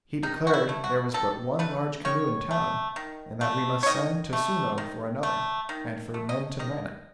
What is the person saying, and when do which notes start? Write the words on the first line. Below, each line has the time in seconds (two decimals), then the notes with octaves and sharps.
He declared there was but one large canoe in town, and that we must send to Suno for another, and for men to man it.
0.23 D#3 D#4
0.47 F#4
0.54 E4
0.69 A3
0.84 F#4
1.14 D#3 A4
1.59 A3 B4
2.05 D#3 C#5
2.51 A3
2.96 D#3
3.41 A3
3.83 C#5
3.86 D#3 D#5
4.33 A3
4.78 D#3
5.23 A3
5.69 D#3
6.14 A3
6.29 D#5
6.59 D#3 D#5